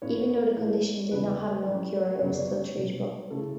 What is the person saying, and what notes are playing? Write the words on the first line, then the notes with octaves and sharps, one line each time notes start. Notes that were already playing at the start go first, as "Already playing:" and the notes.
Even though the condition did not have a known cure, it was still treatable.
A2 E3 B3 C#4 C#5
A2 E3 G#3 B3
E2 C#3 G#3 B3 B4
A2 F#3 A3 C#4
F#2 C#3 F#3 B3 C#5
D5
C#4 C#5
B2 F#3 C#4
C#3 E3 A3 A4